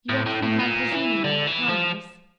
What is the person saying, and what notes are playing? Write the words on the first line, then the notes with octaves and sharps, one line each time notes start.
"You won't think I am presuming on your kindness?"
A2
A2
A2
A#2
E3
D3
E3
F3